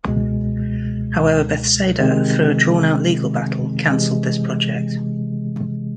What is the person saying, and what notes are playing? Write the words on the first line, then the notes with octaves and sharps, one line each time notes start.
However Bethesda, through a drawn out legal battle, cancelled this project.
C#2 B2 G#3
C3 D#3 G#3 C4
C3 E3 G#3